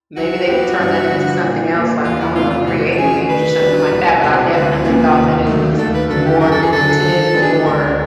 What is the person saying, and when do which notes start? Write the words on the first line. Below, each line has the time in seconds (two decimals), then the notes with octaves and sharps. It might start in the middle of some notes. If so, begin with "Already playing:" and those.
Maybe they can turn that into something else like, I don't know, creating games or something like that, but I definitely thought that it was more lucrative for
0.16 F#3 F#4
0.47 B3 E4 G4
0.79 G2
1.10 D3 F3
1.41 A#2
1.72 G3 A#3
2.04 E2 F4
2.20 E4
2.35 C3 E3 A3 F4
2.50 F4
2.67 E3 F#4
2.92 A4
2.97 A3 C#4 F#4 G#4
3.29 D#3 B4
3.60 G3 B3 D4 F#4
3.91 C2
4.23 B2 G#3 C4
4.53 D2 B4
4.84 C3 F3 A#3 C#4
5.16 D#2
5.47 D#3 F#3 A3
5.78 D#2 A4
5.94 B4
6.09 D3 F#3 A4
6.26 G4
6.40 F#2 A#4
6.52 A4
6.62 G#4
6.71 D3 F#3 A4
7.02 D#3
7.34 G#3 B3 D4 F#4
7.42 G#4
7.53 A4
7.65 D2 A#4